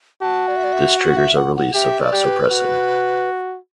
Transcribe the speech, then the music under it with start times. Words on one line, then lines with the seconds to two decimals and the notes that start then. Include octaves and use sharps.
This triggers a release of vasopressin.
0.22 F#4 A5
0.48 D5
0.56 E5
0.64 D5
0.73 E5
0.99 F#5
1.17 E5
1.37 F#5
1.56 F#5
1.74 G4 E5
2.00 D5
2.13 G4
2.25 B4
2.51 F#4